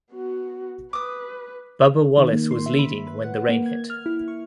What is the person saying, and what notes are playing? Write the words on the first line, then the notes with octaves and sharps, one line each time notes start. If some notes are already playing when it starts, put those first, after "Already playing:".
Bubba Wallace was leading when the rain hit.
B3 F#4
B4 D6 D#6
D#3
A#3
C6
E5
B5
B4
F#5
A#3
G#6
F6
E4
C#6